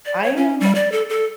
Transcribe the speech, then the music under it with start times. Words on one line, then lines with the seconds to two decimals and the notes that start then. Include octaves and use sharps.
I am
0.06 D5
0.23 C#5
0.37 C#4
0.60 G3
0.75 D5
0.92 A4
1.09 A4